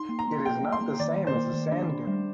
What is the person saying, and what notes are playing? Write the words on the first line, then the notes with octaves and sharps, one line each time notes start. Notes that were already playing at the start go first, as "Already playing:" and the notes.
It is not the same as a sand dune.
Already playing: D#4 C6
A#3
A#5
A#3
G#4 G5
A#3
C6
A#3
D#3 D5
D#3
C5
A#3
D#3
D4
D4
G3